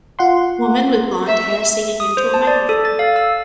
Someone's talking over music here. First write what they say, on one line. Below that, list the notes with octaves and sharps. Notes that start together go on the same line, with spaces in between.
Woman with blondhair singing into a microphone.
F4 F#5 C6
E5
D#6
C5
A5
D5
A4
A6
F5
E6